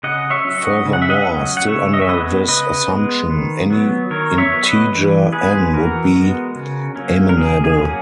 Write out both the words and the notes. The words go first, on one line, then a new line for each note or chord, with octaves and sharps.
Furthermore, still under this assumption, any integer "n" would be amenable.
C#3 D#5 F#5
C#5 E5
F#3 C#4
D#5 F#5
C#3
F#5
E5
D#5 F#5
F#3 C#4
F#5
C#3 C#5 E5
D#5
E5
G#3 B3 B4 D#5
C#3 B4 D#5
G#3 B3
D#3
F#3 B3
D#3 A#4 C#5
C#5 E5
F#3 B3
B4 D#5
E3
G#3 B3 G#4 B4
E3 F#4 A#4
G#3 B3
C#3
F#3 A#3 C#4
A#4
C#3 G#4
G#4
F#3 A#3 C#4